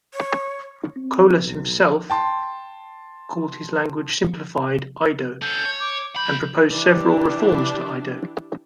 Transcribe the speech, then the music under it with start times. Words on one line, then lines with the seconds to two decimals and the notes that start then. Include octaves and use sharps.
Colas himself called his language "simplified Ido" and proposed several reforms to Ido.
0.14 C#5
0.96 C4
1.43 B1
2.10 G5 A5 C6
5.42 C#4 A4 G6
5.65 C#5
5.80 D6
6.16 B1 B5 G6
6.70 E3 D4 G4